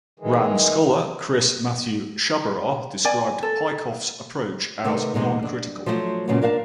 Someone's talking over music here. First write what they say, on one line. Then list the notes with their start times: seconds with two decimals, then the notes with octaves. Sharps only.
Rand scholar Chris Matthew Sciabarra described Peikoff's approach as "noncritical".
0.19 D#3 E3 G#3
3.05 D5 G#5
3.43 A4
4.84 C3 D#3 A3 B3
5.14 E2 G#2 C3 G#3 D#4
5.43 D4
5.86 F3 F#3 A3 G#4 C5
6.28 F#2 A#2 C#3 F#3 G#3 B3
6.42 D4 A#4 F5 F#5 A5